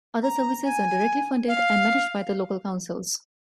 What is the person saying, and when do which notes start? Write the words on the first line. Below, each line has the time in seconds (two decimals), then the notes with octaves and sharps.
Other services are directly funded and managed by the local councils.
0.23 A#5
0.64 G#5
1.48 F5